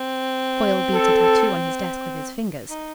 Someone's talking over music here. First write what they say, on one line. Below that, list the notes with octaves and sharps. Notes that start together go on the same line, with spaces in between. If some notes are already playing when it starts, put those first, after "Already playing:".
Foyle beat a tattoo on his desk with his fingers.
Already playing: C4
A4
D#4